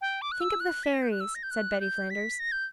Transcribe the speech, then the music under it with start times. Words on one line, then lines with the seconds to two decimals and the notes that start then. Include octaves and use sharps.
"Think of the fairies," said Betty Flanders.
0.01 G5
0.22 D6
0.32 F#6
0.40 E6
0.60 F#6
0.83 B6
0.93 A#6
1.02 G6
1.11 F#6
1.20 E6
1.35 A#6
1.43 G6
1.51 F#6
1.80 G6
2.10 B6
2.39 A#6
2.52 G6